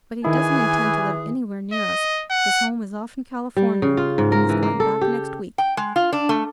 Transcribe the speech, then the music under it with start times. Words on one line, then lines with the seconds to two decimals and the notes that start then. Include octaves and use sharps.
But he doesn't intend to live anywhere near us. His home is off in California, and he's going back next week.
0.25 D#3 E3 E4 G#4 G#5
1.73 D#5
2.30 F#5
3.57 G3
3.82 C#3
3.97 F4
4.18 G#2
4.32 A#4
4.49 E3
4.63 A#3
4.80 A4
5.01 G4
5.58 G5
5.77 G#3
5.96 F4
6.13 D4
6.29 A3